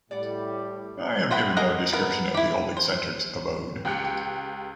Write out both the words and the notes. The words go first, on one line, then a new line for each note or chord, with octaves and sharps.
I have given no description of the old eccentric's abode.
A2 G3 D5 F#5
E3 C5 F#5 G5 B5
G#4 A#4 D#5 F#5
B3 A#4
E4 G4
C5
C#2 G4 G5 F#6 C#7